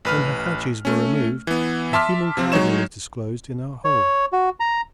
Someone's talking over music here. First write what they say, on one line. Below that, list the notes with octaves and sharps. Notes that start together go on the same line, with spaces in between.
When her hatches were removed, a human cargo was disclosed in her hold.
A1 B4 F6
A3 C#4
E3 B3
E5 A5 C6 D6 F6 B6
C3 F3 C4
F#3 G#3 D#4 C#5 E7
C#5
F#4
A#5